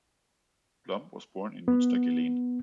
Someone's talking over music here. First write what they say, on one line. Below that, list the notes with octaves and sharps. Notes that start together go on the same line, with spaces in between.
Blom was born in Munstergeleen.
B3